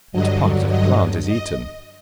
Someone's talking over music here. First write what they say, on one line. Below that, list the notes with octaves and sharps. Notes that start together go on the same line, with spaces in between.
What part of the plant is eaten?
G2 D3 F#3 D#5
D#5
D#5